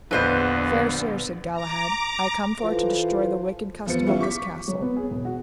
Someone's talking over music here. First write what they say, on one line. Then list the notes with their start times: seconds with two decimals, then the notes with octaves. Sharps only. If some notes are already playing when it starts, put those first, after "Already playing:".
Fair sir, said Galahad, I come for to destroy the wicked custom of this castle.
0.11 A#1 E2 D3 B3 B4 C5 D#5
1.53 A#5 D6
2.61 E3 F4 A4 B4 C5
3.86 F1 F3 B3 C#7
4.06 E3 G3 C#4 E4 F4
4.20 C#6 D6 B6
4.68 F#3
4.82 B3
4.96 G#4
5.11 E1
5.25 F#4